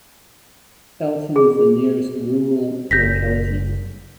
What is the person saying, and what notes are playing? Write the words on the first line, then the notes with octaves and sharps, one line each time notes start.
Elton is the nearest rural locality.
G#4
F#1 G6 A#6 B6